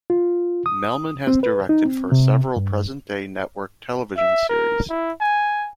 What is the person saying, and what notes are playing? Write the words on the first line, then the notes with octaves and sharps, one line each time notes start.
Melman has directed for several present-day network television series.
F4
D#6
C4
B4
D#4
C4
C3
G2
E5
A#4
E4
G#5